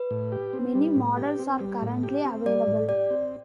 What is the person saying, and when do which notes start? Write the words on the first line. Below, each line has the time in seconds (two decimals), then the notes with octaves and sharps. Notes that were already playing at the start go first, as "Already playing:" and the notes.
Many models are currently available.
Already playing: B4
0.11 A2
0.32 G4
0.53 C4
0.75 G3
0.96 A2
1.17 G4
1.39 C4
1.60 G3
1.82 A2
2.03 G4
2.24 C4
2.46 G3 D5
2.67 A2
2.89 G4 D5
3.10 C4